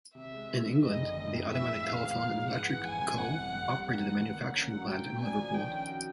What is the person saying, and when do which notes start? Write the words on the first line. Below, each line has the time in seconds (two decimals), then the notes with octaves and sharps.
In England, The Automatic Telephone and Electric Co operated a manufacturing plant in Liverpool.
0.15 C3 E5
0.32 G#3
0.49 C4
0.65 F3
0.83 F#1 D#5
0.99 D3
1.16 F#1
1.34 F2
1.49 A2 E5
1.67 G#3
1.84 B3 F5
2.01 F3
2.17 G#2
2.34 G#3
2.51 B3 F#5
2.68 E3
2.85 G1 G#5
3.01 C3
3.18 G1 F#5
3.36 F2
3.52 G2
3.68 G3
3.86 A#3 F#5
4.03 E3
4.19 D3
4.36 A#3
4.53 C#4 F#5
4.71 F#3
4.87 A#2 G5
5.04 A3
5.21 D4 G#5
5.37 F3
5.54 D#3 G5
5.71 C#4
5.88 F#4